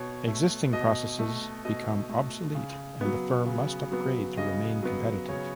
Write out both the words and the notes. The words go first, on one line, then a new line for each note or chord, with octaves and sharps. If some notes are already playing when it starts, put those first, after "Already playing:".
Existing processes become obsolete and the firm must upgrade to remain competitive.
Already playing: B2 C#5
A3
B2 D#5
A3
B2 D#5
A3
C#3
F#3 B3
C#3
F#3 B3
C#3 D#5
F#3 B3
C#3 C#5